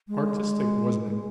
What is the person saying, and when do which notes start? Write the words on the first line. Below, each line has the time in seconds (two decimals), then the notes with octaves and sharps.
Artistic, wasn't it?
0.08 G#3
1.07 G#3